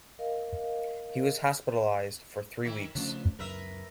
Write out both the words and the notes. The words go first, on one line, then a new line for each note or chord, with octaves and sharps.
He was hospitalized for three weeks.
A#4 D#5 F5
D#3 E4
C#3 F3 A3 C#4 D4
C#2 F#2 A#4 B4 E5